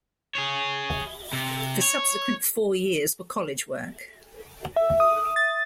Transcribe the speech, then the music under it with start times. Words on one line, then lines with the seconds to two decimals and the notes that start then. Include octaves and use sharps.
The subsequent four years were college work.
0.35 G#4 C#5
1.33 C3
1.81 C#5
4.76 E5
5.00 D#6
5.36 A6